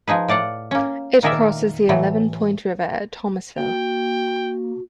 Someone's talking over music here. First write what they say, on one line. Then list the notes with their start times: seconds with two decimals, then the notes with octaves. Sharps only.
It crosses the Eleven Point River at Thomasville.
0.07 F3 D#4 G#4 B4
0.28 A2 D5 F5 F#5
0.71 A#3 C#4
1.23 A#2 D#3 G#4 A#4 D5 E5
1.89 A2 E3 F#3
3.58 A#3 F#4 G5